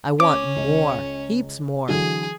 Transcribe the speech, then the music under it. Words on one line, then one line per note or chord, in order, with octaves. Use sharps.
'I want more,--heaps more.
C#4 D6
C#2
D3 E3 F#3 G#4